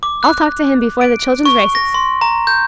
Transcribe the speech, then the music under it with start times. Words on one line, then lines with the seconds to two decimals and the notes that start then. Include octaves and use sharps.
I'll talk to him before the children's races.
0.03 D6
0.23 F#6
1.01 D7
1.46 C#6
1.75 A#6
1.94 C6
2.21 A#5
2.47 G6